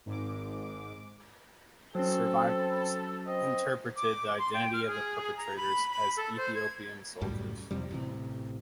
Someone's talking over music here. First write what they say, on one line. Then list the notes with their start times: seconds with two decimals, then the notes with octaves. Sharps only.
Survivors interpreted the identity of the perpetrators as Ethiopian soldiers.
0.06 G#1 G#2 D6
1.95 F#3 C4 C#4 A4
3.27 C4 D#5
3.97 D6
4.39 C6
4.54 G5
4.73 F6
4.87 G#4
5.37 A#5
5.57 B5
5.91 B5
6.17 A4
6.37 C5
6.55 G#6
7.21 C#2 F#2 A2 G3
7.71 F2 C3 G3
7.91 A1 C3